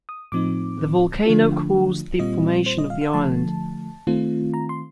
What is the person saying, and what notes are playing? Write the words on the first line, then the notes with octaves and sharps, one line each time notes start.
The volcano caused the formation of the island.
D#6
A2 F3 C4 D#4 D6
D3 F3 A3 D4 F4
A#2 G3 C4 F4 D#5
C5
D#5
F5
F5
D3 F3 A3 A5
D#3 A3 C4 F4
A#5
C6